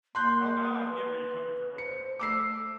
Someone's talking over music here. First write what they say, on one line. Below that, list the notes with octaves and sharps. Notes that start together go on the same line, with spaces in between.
Oh, now I get where you're coming from, okay.
A#3 C6 F#6 G6
B4
C5 C#7
A3 D6 E6 C7